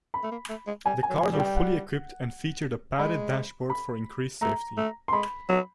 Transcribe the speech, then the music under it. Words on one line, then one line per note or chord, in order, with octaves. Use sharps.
The cars were fully equipped and featured a padded dashboard for increased safety.
B5
A3
A#3
A3
G#3
G3 G#5
G#5
F#3
G#5
G3
G5
F#5
G#3 B5
B5
A3 A#5
A3
C6
G#3 B5
F#3